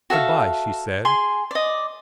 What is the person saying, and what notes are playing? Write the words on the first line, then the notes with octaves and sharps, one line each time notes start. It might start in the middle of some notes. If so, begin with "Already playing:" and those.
"Good-bye," she said.
F#4 A4 E5 F5
G#4 G#5 C6
D5 D#5